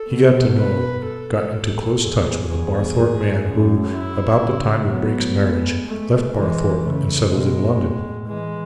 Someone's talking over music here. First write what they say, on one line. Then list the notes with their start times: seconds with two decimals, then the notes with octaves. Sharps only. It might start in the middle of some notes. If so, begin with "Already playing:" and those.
He got to know--got into close touch with a Barthorpe man who, about the time of Brake's marriage, left Barthorpe end settled in London.
Already playing: A4
0.09 B2
0.56 B4
1.05 A4
1.54 G#2
2.02 E2 G#4
2.49 E2 G#4
2.97 G#2
3.45 F#2
3.94 E4
4.42 C#3
4.89 F#3 B3
5.37 G#3
5.86 G#3 A3
6.35 E3 G#3
6.83 C#3 A3
7.31 B2 G#3
7.78 A2
8.27 E3 G#3